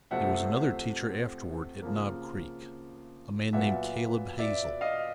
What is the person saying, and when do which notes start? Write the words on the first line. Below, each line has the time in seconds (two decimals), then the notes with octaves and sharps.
There was another teacher afterward at Knob Creek--a man named Caleb Hazel.
0.11 C3 F3 A3 C4 E5 F#5
1.82 C#3 F3 A#3
3.53 A#2 F#3 B3 E5 F#5
4.39 D5 E5
4.81 D#5 F5